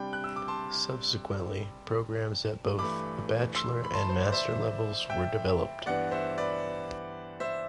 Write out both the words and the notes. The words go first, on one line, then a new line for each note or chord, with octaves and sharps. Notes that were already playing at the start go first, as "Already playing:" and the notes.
Subsequently, programs at both the Bachelor and Master levels were developed.
Already playing: C3 G3 D4 G5 B5
F#6
E6
D6
A5 C6
G2 E3 A3 B5 D6
C6 E6
B5
A5 C6
C5
D5
C5 E5
E5 G5
G2 E3 B3 D4 D5 F#5
C5 E5
B4 D5
C5 E5